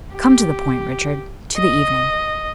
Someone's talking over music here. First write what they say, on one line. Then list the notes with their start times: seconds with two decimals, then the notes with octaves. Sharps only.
"Come to the point, Richard--to the evening."
0.14 G4
1.57 D#5